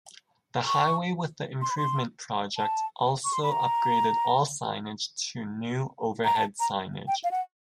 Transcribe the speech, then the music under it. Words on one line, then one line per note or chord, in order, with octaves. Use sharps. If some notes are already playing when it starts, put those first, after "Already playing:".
The highway with the improvement project also upgraded all signage to new overhead signage.
C#6
C6
B5
C6
A5
C#6
C6
B5
A#5
A#5
A5
A#5
G5
F5
F#5